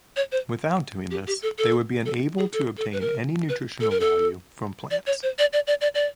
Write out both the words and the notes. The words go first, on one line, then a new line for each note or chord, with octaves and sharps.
Without doing this they would be unable to obtain any nutritional value from plants.
C#5
C5
G4
G4
A4
A4
A4
G#4
A4
A4
B4
A#4
B4
A4
A#4
A4
D5
C#5
C5
D5
D5
D5
D5
D5